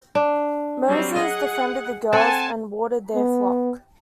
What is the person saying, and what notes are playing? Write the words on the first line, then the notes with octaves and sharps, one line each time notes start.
Moses defended the girls and watered their flock.
D4
F#3 G3 C4
G#4 D#5 F#5
C4 A4 F#5 G#5 A5
B3